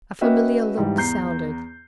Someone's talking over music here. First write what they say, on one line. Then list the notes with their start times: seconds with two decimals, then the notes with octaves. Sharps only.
A familiar lilt sounded.
0.21 C#4 F#4 B4 D#5 E5 G5
0.77 G#2 E3 G3
0.97 E2 A#5 G6 C7